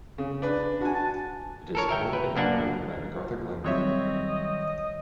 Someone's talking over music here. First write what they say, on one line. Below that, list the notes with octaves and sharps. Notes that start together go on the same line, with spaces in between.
It is owned and operated by McArthurGlen Group.
C#3
D4 B4
D4 F#4 G#5
A5
A4 A#4 C#5
A#4 E5 G5
B4
F#2 A#3 D4 F#5
D#3 F#3 G3 C4 C#5 D#5 E5